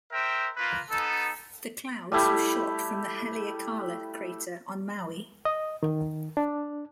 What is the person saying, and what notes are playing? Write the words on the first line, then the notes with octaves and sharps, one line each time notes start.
The clouds were shot from the Haleakala Crater on Maui.
A#4 C5 E5 G5
A#3 F4 B4
B3 D#4 A4
G3 A3 E4 G4
D#5
D#3
D4